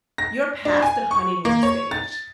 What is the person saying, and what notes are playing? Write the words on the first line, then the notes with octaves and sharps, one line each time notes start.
you're past the honeymoon stage.
A#6
D4
G#5
C#6
A#3
C#5
A6